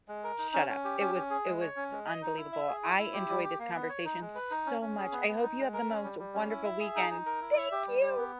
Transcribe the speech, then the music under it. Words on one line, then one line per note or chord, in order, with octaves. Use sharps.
s shut up, it was, it was unbelievable. I enjoyed this conversation so much. I hope you have the most wonderful weekend. Thank you.
G#3
A#4
D#4
C#4
C#4
G4
C#4
C#4
G#4
G#3
C#5
C#4
G#3
D#5
D#4
E4
E5
G#4
E4
E4
G4
G3
G4
A#3
B3
C#5
D#4
G#3
B4
D#4
C#4
C#4
G#4
B3
B3
D#4
G#3
A#4
C#4
G3
G3
C#4
E4
E5
G#4
D#4
D#4
A#4
E4
E5
G4
G3
G4
B3